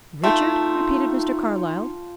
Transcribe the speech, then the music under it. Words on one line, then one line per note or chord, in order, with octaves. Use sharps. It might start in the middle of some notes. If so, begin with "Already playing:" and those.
"Richard!" repeated Mr. Carlyle.
A3 D#4 F4 G5 A5